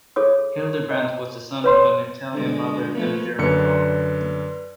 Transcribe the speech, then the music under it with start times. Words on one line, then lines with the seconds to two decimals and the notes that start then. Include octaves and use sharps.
Hildebrandt was the son of an Italian mother and a German father.
0.16 G#4 A4 C#5 D#6
0.91 D#5
1.64 B4 C#5 C6
2.31 D3 G#3
2.94 F3 A3 B3
3.39 F#2 D3 B4 D5 C#7